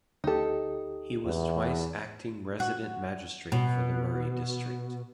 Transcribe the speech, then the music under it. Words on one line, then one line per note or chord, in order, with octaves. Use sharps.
He was twice acting resident magistrate for the Murray district.
D2 D#4 G4 A4
E2
F#4
B2